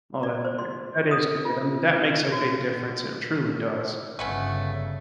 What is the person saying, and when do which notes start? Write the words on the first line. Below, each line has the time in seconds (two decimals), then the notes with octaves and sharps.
Oh, that's great. That is good, I mean, that makes a big difference, it truly does.
0.23 D5
0.45 C5
0.59 C6
1.11 D#6
1.45 F4
1.96 B4
2.32 F#4
4.19 G1 C#3 A3 B3 C#4